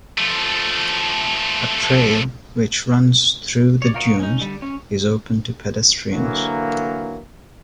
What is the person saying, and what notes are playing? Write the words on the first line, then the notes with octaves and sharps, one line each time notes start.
A trail, which runs through the dunes, is open to pedestrians.
F3 A3
C#5 D5
F4 F#4 A#4 C#5 D#5
C#4 D#4
D3 G3
C#4
D3 E3 F#3 A#3